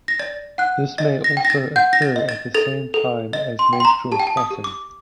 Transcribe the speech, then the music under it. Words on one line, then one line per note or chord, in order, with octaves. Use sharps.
This may also occur at the same time as menstrual spotting.
A#6
D5 A6
F#5 F#6
D#5 A6
A#6
G5
A#6
A6
F#5 G6
A#6
A6
D#5
A6
A4 A6
A4
D#5 A6
C6
G5
C6
A#5
G4 A5
G5
A5
D#6
G4
D6